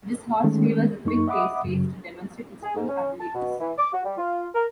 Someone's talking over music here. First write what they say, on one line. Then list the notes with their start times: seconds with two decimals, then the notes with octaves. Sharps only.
This horse favors a quick pace race to demonstrate its full abilities.
0.44 D#3 G#3 A3 C#4
1.05 F#2 A#3 D#4 C#6
1.28 D#5 E5 F#5 B5 D6 D#6
1.65 F#2 C#3 F#3
2.63 G#4
2.76 G#2
2.89 C#4
3.20 A5
3.35 B2
3.60 E3
3.78 D6
3.93 F#4
4.05 G3
4.18 F4
4.55 A#4